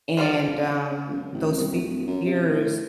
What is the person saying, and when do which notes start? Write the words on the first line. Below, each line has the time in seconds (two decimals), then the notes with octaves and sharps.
And, um, those fears
0.17 F3 G3 F4 D5
1.12 F#2
1.33 A1
1.57 C2
1.70 D1
2.07 F#2
2.26 C3
2.49 A2